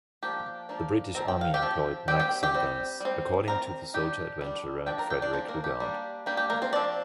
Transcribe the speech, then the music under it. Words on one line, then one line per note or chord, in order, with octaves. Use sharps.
The British army employed Maxim guns, according to the soldier-adventurer Frederick Lugard.
F3 A#3 D4 G4
F3 A#3 D4
F3 C4 A#5
G5
F5
G4 G5
F3 C4
G3 C4 G4 G5
G4 G5
G4 G5
G3 C4
G3 C4
G3 C4 A#4 A#5
G3 D4 G4 G5
G3 D4
F3 D4 G4 G5
A#4 A#5
G4 G5
D4 D5
F3 C4 D4 C5
A#3 A#4
G4
G3 A#3 D4
G3 A#3 D4 G4
G4
A#3 A#4
C4 C5
F3 C4 D4 D5